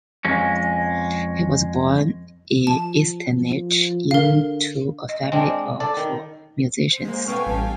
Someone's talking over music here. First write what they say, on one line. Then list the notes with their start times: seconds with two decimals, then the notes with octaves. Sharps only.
He was born in Eisenach, into a family of musicians.
0.25 F2 G#3 C#4
2.67 F3 A5
3.31 F3
4.11 D3 A#4 F5
5.09 D#5
5.32 G#3 C4 D4 D#5
5.80 A4 D5
5.97 D#3
6.92 C5
7.05 G#3 A#3
7.27 A3 B3 C4 F5 G5 G#5 C#6
7.46 A1 G3 C#4 A5